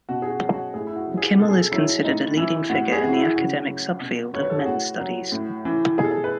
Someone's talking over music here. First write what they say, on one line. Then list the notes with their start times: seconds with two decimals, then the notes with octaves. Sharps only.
Kimmel is considered a leading figure in the academic subfield of men's studies.
0.09 B2 F#4
0.22 G#4
0.30 F#4
0.41 F#3
0.53 F#4
0.74 A2 G#4
0.87 E4
0.96 F#4
1.07 F#3
1.17 G#4
1.39 B2 A4
1.49 G#4
1.58 A4
1.72 F#3 E4
2.04 A2 D#4
2.37 E3 E4
2.70 A2 F#4
2.92 G#4
3.03 E3 F#4
3.14 E4
3.36 C#3 F#4
3.69 F#3
4.00 B2
4.34 F#3 C#5
4.42 B4
4.50 A4
4.58 G#4
4.66 A2 F#4
4.99 F#3
5.32 A2
5.65 E3
5.98 B2 G#4
6.04 A4
6.11 G#4
6.24 B4